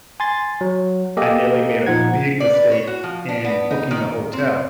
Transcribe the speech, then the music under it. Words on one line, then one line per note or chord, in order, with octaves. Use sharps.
I nearly made a big mistake in booking the hotel
G#5 C6 A6
F#3
A#3 G4 A4 D#5
A#2 F3 D#4 F#5 G#6
D5
B4
C#5
F#4
F3
D4
B3
D#4
D#3
C4